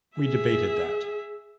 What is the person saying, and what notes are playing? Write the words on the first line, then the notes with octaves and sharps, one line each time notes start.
We debated that.
G#4 E5